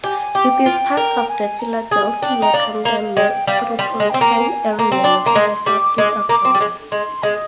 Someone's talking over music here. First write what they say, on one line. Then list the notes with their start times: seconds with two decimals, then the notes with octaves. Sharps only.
It is part of the Philadelphia-Camden metropolitan area, located southeast of Camden.
0.03 G4 G#5
0.35 G4 G5
0.66 F4
0.97 A#4
1.29 G#5
1.60 A#5
1.91 G#4 G#5
2.22 D4 G5
2.42 D#4
2.54 D4 F5
2.85 A#3
3.16 G#3 G5
3.47 G3 F5
3.79 G3 C6
4.00 G#3
4.10 C4 G5
4.21 A#3
4.41 G#5
4.73 A#5
4.79 A#3
4.92 C4
5.04 D4 C6
5.26 A#3
5.35 G#3
5.66 G3 D6
5.98 G#3 D6
6.29 A#3 D6
6.45 C4
6.55 G3
6.60 G#3
6.91 G#3 C6
7.23 G#3 D#5